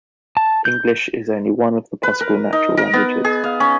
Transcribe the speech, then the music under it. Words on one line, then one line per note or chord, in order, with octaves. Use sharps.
English is only one of the possible natural languages.
A5
G6
B4
A#4
D#4
A#4
B3
G#4
F5
C#4